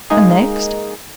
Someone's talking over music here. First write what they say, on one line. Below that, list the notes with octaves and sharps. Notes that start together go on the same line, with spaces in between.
"And next?"
G#3 A#3 D#4 G#4